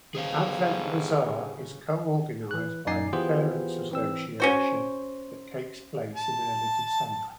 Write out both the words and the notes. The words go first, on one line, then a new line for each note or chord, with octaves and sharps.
The Adventsbasar is co-organised by the Parents' Association that takes place in early December.
G1 C#3 G#4 C5 F5
E3 F#6
F#2 D#4 D5 G#5 C7
E3 B3 F4 G4 G#4 C5
E3 C4 E6
C#4 F#4 C5
A5